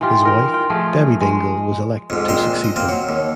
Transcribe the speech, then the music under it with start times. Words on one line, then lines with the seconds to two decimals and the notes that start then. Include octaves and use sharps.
His wife, Debbie Dingell was elected to succeed him.
0.01 E3 D#4 F4 G4
0.23 D#4 A#4 G5
0.53 F4 G5
0.70 F3 A3 G#4 A#4
1.21 G#3
2.10 F2 G#2
2.28 A#2 G#3 C4 C6
2.64 D#5
2.76 A#3 C4
2.89 F#3
3.09 D#2